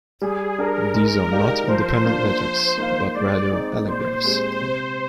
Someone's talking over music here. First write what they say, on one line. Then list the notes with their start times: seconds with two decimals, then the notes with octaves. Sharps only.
These are not independent letters, but rather allographs.
0.22 G3 G#4
0.58 D4 G#4 A#4
0.95 G#3 A#4
1.32 D#4 G4 D5 F5
1.68 F3 C5
2.05 A#3 D4 F4
2.41 F3
2.78 A#3 D#4 A#4 F5
3.14 G#3 D5
3.52 C4 D#4 G#4
3.88 A#2 C5
4.24 G#3 C4 G4
4.61 C3